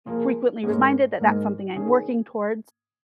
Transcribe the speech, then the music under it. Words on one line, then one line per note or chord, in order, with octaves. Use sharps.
frequently reminded that that's something I'm working towards,
F3 A#3 F4 G#4
G#2 G#3 C#4 A#4
G#2 G#3 D#4 A#4
D#3 C#4 G#4